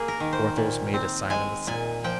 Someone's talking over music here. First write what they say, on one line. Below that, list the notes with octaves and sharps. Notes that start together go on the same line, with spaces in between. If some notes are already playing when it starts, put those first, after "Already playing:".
Porthos made a sign of assent.
Already playing: A#3 G#4
A#4
D#3
C5
A#2
C4
G#3 G#5
A#2 G#5
F3 G5